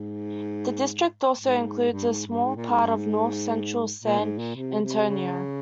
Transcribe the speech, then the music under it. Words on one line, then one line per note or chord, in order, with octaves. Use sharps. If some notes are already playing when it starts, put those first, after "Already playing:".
The district also includes a small part of north central San Antonio.
Already playing: G#2
G#2
G2
G#2
G2
G#2
A#2
G#2
G2
G#2
A#2
G#2
A#2
C3
C3
C#3